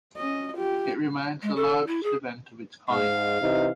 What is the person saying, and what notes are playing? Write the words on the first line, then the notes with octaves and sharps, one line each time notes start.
It remains the largest event of its kind.
C#4 D#5
F4 G4
G#3
A4
E4
G#4
G#2 F5
C3 E3 D#4